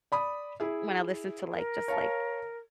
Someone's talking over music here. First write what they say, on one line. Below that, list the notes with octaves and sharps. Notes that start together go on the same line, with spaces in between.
when I listen to, like, just, like,
D5 B5 D#6
E4 G#4 E5
A#4
C#5 F5 A5